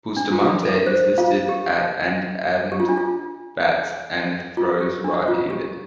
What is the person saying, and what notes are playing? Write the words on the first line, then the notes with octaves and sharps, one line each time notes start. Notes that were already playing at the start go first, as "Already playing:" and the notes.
Bustamante is listed at and and bats and throws right handed.
D4
F4
G4
A4
C5
F4 F5
G4
G4
F4
D4
F4
F4
G4
D4
F4
G4